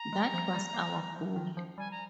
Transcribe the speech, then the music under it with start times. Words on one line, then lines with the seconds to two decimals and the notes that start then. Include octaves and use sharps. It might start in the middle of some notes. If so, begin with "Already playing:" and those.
That was our goal.
Already playing: A#5
0.13 G#3
0.33 F3
0.54 G3
0.74 A#3
0.95 G3
1.16 F3
1.36 D#3
1.57 F3
1.78 G3 G#5
1.91 A#5